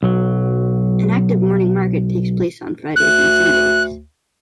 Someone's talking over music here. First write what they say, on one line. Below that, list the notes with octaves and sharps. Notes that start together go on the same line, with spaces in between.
An active morning market takes place on Fridays and Sundays.
B1 F#3
D2 F#6